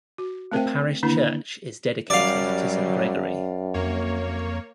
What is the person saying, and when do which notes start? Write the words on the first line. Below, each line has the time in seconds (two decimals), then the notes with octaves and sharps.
The parish church is dedicated to Saint Gregory.
0.18 F#4
0.52 A3 C4 A#4 C5 E5 G5
1.03 D3 D#3 A#3 D4 E4
2.10 F#2 F#3 G3 D5 F5
3.74 F2 A#3 C#5